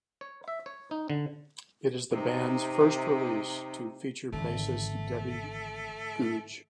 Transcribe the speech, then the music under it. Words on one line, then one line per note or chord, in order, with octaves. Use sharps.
It is the band's first release to feature bassist Debbie Googe.
C#5
E5
C#5
D#4
D3
C3 D#4
G#1 G#2 D3 E3 A3